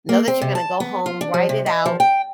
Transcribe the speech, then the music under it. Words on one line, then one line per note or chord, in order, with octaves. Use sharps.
know that you're gonna go home, write it out,
A#3
C4
C3
A5
B3
F4
D4
F3
C3
D#5
F3
G5